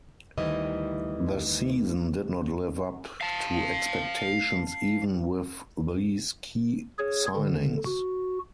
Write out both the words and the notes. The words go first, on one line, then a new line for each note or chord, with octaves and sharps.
The season did not live up to expectations even with these key signings.
D2 D#3 E3 G3 E4 D#5
F5 A5
G#4 C#5
D3
F#4